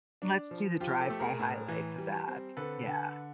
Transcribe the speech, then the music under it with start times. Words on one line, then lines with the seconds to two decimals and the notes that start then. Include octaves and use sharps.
e let's do the drive-by highlights of that. Yeah.
0.22 D4
0.51 F3
0.80 F3 F4 G4
1.00 G4 A4
1.10 A3
1.20 G#4 A#4
1.39 A2
1.68 E3
1.98 G3
2.28 C4
2.57 D3 A4 B4
2.87 D3